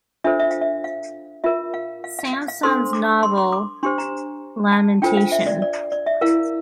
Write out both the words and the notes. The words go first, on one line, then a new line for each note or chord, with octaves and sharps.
Sansom's novel "Lamentation".
D4 F4 A4 C5 E5
E5
F5
E5
F5
F4 A#4 E5
F5
F5
F5
F5
F5
D4 A4 C5 C6
D6
C6
C6
D6
D4 G4 C5 C6
A#5
A5
D4 F4 A4 C5 G5
F5
E5
D5
D5
D5
E5
E4 A#4 F5